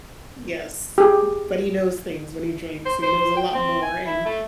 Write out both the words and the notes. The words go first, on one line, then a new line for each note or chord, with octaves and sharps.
Yes, b but he knows things when he drinks, he knows a lot more, and
G4 G#4
C5
C5
G5
C4
G#5
E4
A3